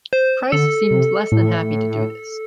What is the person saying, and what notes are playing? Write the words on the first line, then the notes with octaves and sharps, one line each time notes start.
Price seemed less than happy to do this.
C5
D3 A4
C3
A2